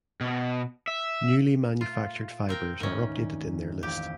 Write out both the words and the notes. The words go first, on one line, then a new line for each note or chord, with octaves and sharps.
Newly manufactured fibers are updated in their list.
B2
E5
A#2 A3 F4
C4 A#4 G5
D2 G#2 D#3 C#4 A#4
A1 F2 G4